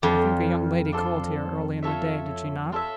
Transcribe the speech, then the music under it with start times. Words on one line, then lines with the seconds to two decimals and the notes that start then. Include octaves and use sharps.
"I think a young lady called here early in the day, did she not?"
0.02 F2 D4 F4 A4 C5
0.92 D4 F4 A4 C5
1.83 F4 A4 C#5 E5
2.72 F4 A4 C#5 E5